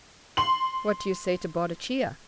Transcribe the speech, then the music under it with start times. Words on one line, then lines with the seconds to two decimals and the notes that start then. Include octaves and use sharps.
What do you say to Boadicea?
0.37 C6 F#7